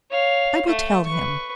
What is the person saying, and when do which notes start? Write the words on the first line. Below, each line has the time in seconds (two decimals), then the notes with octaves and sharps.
"I will tell him."
0.11 C#5 F5
0.67 A3
1.06 B4 C#6